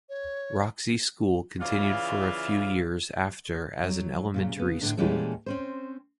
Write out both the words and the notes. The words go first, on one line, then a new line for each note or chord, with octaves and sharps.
Roxie School continued for a few years after as an elementary school.
C#5
C#3 E3 F4 D5 E5 F5
F#3
A#2 C#3 F#3
C#3 B3
A2 D3 D4
A#2 E3 G3 G#3 C#4 A4
C4 C#4 C5